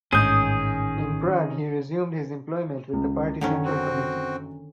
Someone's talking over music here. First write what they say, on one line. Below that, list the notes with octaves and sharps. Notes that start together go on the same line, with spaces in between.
In Prague he resumed his employment with the party central committee.
A1 G#2 D#3 C#4 G#4 D#6 G6
C#2
F#1 D3 D#3 C#4
C4 F#4